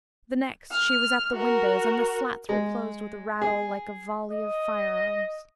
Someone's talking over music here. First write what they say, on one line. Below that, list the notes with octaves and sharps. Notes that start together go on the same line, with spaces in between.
The next she was at the windows and the slats were closed with a rattle like a volley of firearms.
F6
F#4 A#4
G#3
G#4
D#5